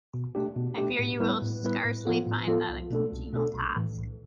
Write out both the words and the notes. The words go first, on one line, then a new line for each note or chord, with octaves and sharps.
I fear you will scarcely find that a congenial task.
B2
A3 D4 G4
B2
A3 D4 G4
A2
G3 B3 E4 B4
A2
G3 B3 E4 B4
A2
F3 B3 F4 A4
A2
F3 B3 F4 A4
C2
B2 A3 D4 A4
C2
B2 A3 D4 A4
B1
A2 E3
B1